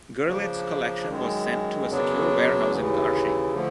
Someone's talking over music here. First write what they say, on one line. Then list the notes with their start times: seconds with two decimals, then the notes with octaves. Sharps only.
Gurlitt's collection was sent to a secure warehouse in Garching.
0.24 C#3 F3 A#3 D4
1.06 F#2 D#3 G#3
1.89 F#2 C#3 F#3 B3 D4
2.71 D#2 C#3 E3
3.54 D3 F3 A3